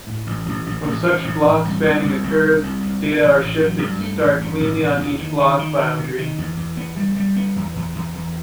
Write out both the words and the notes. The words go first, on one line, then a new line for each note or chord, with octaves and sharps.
When such block-spanning occurs, data are shifted to start cleanly on each block boundary.
A2
A1
A1
A1
A1
A2
A1
A1
C2
C2
C2
C2
C2
C2
C2
C3
A1
A1
F#3
G2
A3
A1
G2
A1
C3
E2
D#3
D#3
D#3
D#3
C3
D#3
E2
E2
B3
G3
G3
B3
E2
E2
E2
E2